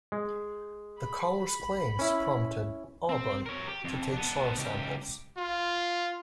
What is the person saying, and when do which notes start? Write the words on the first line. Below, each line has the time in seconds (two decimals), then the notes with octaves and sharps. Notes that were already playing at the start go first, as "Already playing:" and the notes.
The caller's claims prompted Auburn to take soil samples.
0.12 G#3
1.00 B5
1.99 C#4 E4
3.09 C4
3.46 A#4 C#5
3.68 G4
3.84 F2
4.12 B3 D4
4.57 C#2 G4
5.37 F4